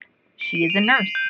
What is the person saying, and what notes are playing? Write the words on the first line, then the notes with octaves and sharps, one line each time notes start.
She is a nurse.
D7
D#7
F7
F#7
C7
G6